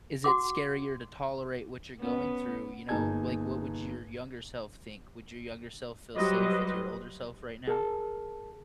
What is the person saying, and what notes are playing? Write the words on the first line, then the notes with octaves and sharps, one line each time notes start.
"is it scarier to tolerate what you're going through, you know, like, what would your younger self think, would your younger self feel safe with your older self right now?"
F#4 F#5 D6
B3 C#4
G1 A#3 D#4 G#4 A5 G#6
F#3 G3 B4 C5 D#5
G#4 A#4 A5